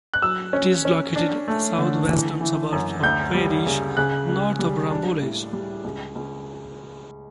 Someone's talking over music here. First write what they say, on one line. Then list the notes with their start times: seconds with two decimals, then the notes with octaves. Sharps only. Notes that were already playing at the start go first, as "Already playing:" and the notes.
It is located in the south-western suburbs of Paris north of Rambouillet.
0.14 F#6
0.22 F#3 E6
0.53 C#4
0.85 C#4
1.16 D4
1.48 A3
1.78 D3
2.10 E3
2.41 E3
2.73 F#2
3.03 D2 G6
3.34 G3
3.66 C#3
3.97 C#3 F#6
4.28 C#2
4.59 G3
4.91 D4
5.22 A2
5.53 G3
5.84 C#2
6.15 C#2